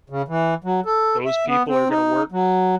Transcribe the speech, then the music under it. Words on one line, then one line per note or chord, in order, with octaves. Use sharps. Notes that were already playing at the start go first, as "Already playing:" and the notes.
those people are gonna work
C#3
E3
F#3
A4
E5
B3
C4
D#4
F#3